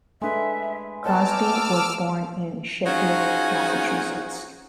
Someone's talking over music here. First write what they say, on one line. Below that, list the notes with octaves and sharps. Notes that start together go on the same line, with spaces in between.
Crosby was born in Sheffield, Massachusetts.
G#3 A3 D4 B4 E5
B3 C5 C#5 D#5 A5 D6 E6 F6
C#4 D#4 F4 F#4 G#4 C5